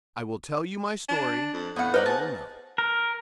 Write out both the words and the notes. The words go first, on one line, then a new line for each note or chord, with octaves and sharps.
"I will tell you my story, and then you will know."
D4
F2
A2 B3 F#5
D#4 A4 B4 C5 D5
G#4 A5
A#4